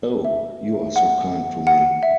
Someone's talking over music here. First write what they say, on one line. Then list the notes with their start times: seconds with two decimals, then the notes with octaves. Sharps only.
Oh, you are so kind to me.
0.24 E5
0.96 F#5
1.67 F#5
2.03 E5